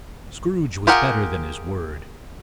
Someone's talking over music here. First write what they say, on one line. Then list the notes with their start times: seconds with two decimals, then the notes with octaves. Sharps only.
Scrooge was better than his word.
0.87 F4 G4 G#4 A#4 F#5